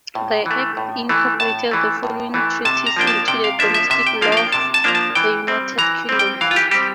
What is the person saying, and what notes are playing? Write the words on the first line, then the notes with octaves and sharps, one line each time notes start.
The Act incorporated the following treaties into the domestic law of the United Kingdom.
A2
E3 A3
A2
E3 A3
A2 A5
E3 A3
A2
E3 A3
C3 A5
A#5
F3 A#3 D4 G5
A5
C3 G5
F5
F3 A#3 D4 E5
E5
C3 E5
G5
F3 A#3 D4 F5
F5
G5
C3 A5
A5
F3 A#3 D4 A#5
A5
E3 G5
G3 C4
E3 A#5
G3 C4
G5
E3 F5
F4
G4
G3 C4 G4